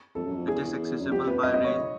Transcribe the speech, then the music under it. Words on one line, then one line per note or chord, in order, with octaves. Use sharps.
It is accessible by rail.
F2 A4
F#2
F2
E2 G#4
F#2
F2 G4
B4
D#5
D#5
C#5